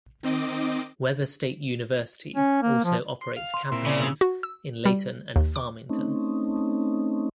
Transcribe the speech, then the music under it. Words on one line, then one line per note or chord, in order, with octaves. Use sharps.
Weber State University also operates campuses in Layton and Farmington.
D#3 C4 D#5 D6
C#4
A#3
F3
C6
F5
C6
A#2 C4 E4
C#3 D5
B2 E6
F#4
E6
G3
D#2
D6
A3 C4 C#4 D#4